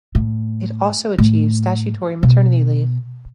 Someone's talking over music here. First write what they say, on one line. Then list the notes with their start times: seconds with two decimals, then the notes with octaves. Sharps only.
It also achieved statutory maternity leave.
0.15 A2
1.18 A2
2.23 B2